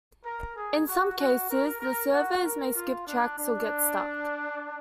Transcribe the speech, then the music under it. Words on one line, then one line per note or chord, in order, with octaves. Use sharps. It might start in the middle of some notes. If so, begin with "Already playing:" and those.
In some cases, the servos may skip tracks or get stuck.
A#4
G#4
F#4
F#4
A#4
A#4
F#4
A#4
F4
D4
D4